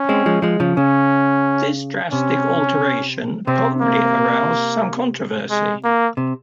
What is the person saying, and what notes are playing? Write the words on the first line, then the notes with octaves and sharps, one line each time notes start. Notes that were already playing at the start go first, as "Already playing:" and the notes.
This drastic alteration probably aroused some controversy.
Already playing: C#4
G#3 C4
F3 G#3
F3 G#3
C#3 F3
C#3 C#4
C3 C#4
C3 C4
A#3
G#3
A#3
C3